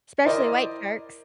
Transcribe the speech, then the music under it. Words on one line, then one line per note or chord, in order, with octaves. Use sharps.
especially white sharks.
E4 A#4 C5 D5 D#5